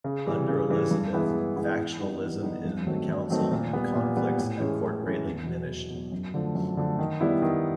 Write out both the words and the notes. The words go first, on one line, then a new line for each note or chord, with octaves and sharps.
Under Elizabeth, factionalism in the Council and conflicts at court greatly diminished.
C#3
E3 G3
C#3
E3 G3
G2
E3 G#3 B3 E4
G2
E3 G#3 B3 E4
E3
G3 B3 D#4
E3
G3 B3 D#4
G2
D#3 F#3 A3 C4
G2
D#3 F#3 A3 C4
A#2
G3 B3
A#2
G3 B3
A2
E3 G#3 C#4 E4
A2
E3 G#3 C#4 E4
E2
B2 F#3
E2
B2 F#3
F#2
D3 F3 A3
F#2
D3 F3 A3
D#3
G3 B3 E4
D#3